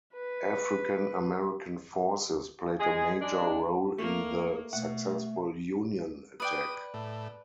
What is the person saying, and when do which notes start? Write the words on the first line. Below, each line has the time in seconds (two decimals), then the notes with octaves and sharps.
African-American forces played a major role in the successful Union attack.
0.14 B4
2.79 G#3 G#4
3.20 G#3 D4
3.98 A3 A#3
4.73 B2 A3 F#5
6.40 B4 D5 G5 D#6
6.94 A2